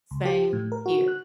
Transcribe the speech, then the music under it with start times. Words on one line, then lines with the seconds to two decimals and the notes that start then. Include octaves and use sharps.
Same h here.
0.11 C#2
0.25 G4
0.53 A2
0.72 A#4
0.86 F#4
1.08 F#6